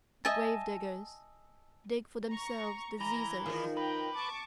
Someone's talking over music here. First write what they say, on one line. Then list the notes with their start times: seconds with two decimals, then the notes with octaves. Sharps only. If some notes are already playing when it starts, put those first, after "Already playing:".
The grave-diggers dig for themselves diseases.
0.25 D#5 E5 G#5 A5
2.30 A#5 C#6
3.00 E3 A#5
3.46 D#3 F3 D#4 G#4
3.77 B4 G5 A#5
4.15 A5 C#6 D6